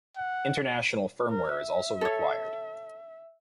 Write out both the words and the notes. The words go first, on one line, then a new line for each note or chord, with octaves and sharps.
International firmware is also required.
F#5
A#4
E5
A4 C#5